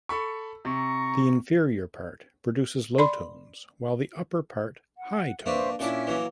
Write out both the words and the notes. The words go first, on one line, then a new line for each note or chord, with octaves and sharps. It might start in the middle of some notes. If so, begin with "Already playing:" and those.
The inferior part produces low tones while the upper part high tones.
A4 B5 C#6
C3 A#5 C#6
D5 B5 C6
F#5
A#3 D4 B4 C5 E5 C#6
A#2 C#4 D4 E4 E5
E3 F#3 A#3